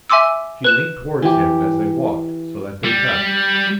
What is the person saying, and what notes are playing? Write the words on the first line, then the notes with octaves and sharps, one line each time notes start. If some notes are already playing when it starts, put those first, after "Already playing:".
She leaned towards him as they walked so that they touched.
E5 G#5 C6 D6 E6
B4 F#6 E7
E3 G4
G3